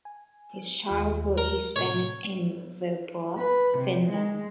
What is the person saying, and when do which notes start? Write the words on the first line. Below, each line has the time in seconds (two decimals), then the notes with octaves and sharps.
His childhood he spent in Vilppula, Finland.
0.05 G#5
0.89 D#2 F4
1.38 A#4
1.76 A2 C3 C#5
3.38 B4
3.78 C3
4.09 G#3